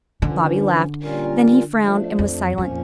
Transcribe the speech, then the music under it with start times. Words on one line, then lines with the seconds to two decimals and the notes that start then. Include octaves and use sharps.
Bobby laughed; then he frowned and was silent.
0.22 G2 D3 F3 C#4
1.01 A#2 G3 C#4 F4 A#4
1.79 F3 A3 D4
2.19 F2
2.58 F2 A#2 F3 C#4